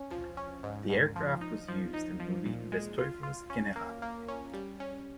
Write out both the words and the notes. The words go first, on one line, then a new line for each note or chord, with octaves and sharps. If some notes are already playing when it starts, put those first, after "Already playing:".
The aircraft was used in the movie Des Teufels General.
Already playing: C#4
F3
C#4
G#2
G#2
F3
D#4
F3
D#4
F3
A#2
G#3
F4
F4
C#4
A#3
A#3
C#4
G3
C#4